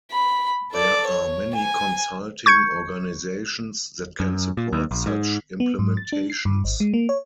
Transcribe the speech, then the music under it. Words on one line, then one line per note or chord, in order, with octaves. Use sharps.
There are many consulting organizations that can support such implementations.
B5
A4 D5
C#5
G#5
C#6 G6 G#6 C#7
F#2
A#2
D#2
A#1
G#2
B3
G#2
A6
D4
C7
G2
G#1
G#3
A#3
C#5